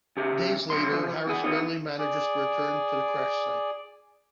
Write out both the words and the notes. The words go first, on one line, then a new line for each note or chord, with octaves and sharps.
Days later, Harris barely manages to return to the crash site.
C#3 G4
F#2 B2 C6
E3 F3
E2 G#4
B3 D#4
G#4 D5